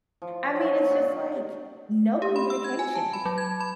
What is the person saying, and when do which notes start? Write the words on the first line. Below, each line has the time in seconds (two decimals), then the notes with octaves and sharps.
I mean, it's just, like, no communication.
0.22 F3
0.44 C#5
0.56 F#3
0.78 C#5
0.90 A#2
2.22 G4
2.36 B5
2.50 E6
2.64 G#6
2.79 G#5
2.95 A5
3.13 B5
3.25 F#3
3.38 G#6
3.61 B5